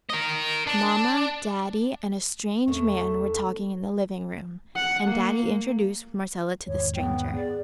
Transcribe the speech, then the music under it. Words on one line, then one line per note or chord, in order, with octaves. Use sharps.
Mama, Daddy and a strange man were talking in the living room and Daddy introduced Marcella to the stranger.
A#4 D#5
D4
E2 A2 D3 D#3 A3 A4 C#6
F#5
A#3
E2 G#2 D#3 C#5
B3 G5
G#4 D5